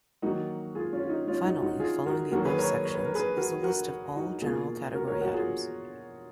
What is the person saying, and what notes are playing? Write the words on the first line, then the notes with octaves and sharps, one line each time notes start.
Finally, following the above sections, is the list of all general category items.
D#3 F#3 A#3 D#4 F#4
F4 G#4
C#4 F4
F4
D#4
C#4 F4
D#4 F#4
D#4 F#4
F4 G#4
F#4 A#4
D#3 F#3 A#3 F#4 A#4
G#4 B4
A#4 C#5
C#5
B4
A#4
G#4 B4
F#4 A#4
F#4 A#4
D#4 F#4
B2 A#3 F4 G#4
F#4 A#4
A#4 C#5
F#4 A#4
F4 G#4